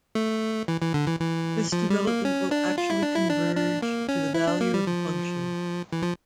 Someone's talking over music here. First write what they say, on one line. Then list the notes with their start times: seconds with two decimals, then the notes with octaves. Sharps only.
This development will actually converge to the value of the function.
0.15 A3
0.68 E3
0.81 E3
0.94 D3
1.07 E3
1.20 E3
1.72 F3
1.90 G3
2.07 A#3
2.25 C#4
2.51 D4
2.78 F4
2.90 E4
3.03 D4
3.15 E4
3.30 D4
3.56 D4
3.82 A#3
4.08 C#4
4.34 E4
4.48 D4
4.61 A#3
4.74 G3
4.87 F3
5.92 E3
6.02 F3